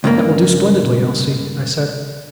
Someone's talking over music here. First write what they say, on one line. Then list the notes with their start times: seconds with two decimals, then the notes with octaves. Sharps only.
"That will do splendidly, Elsie," I said.
0.04 C#2 G2 A#3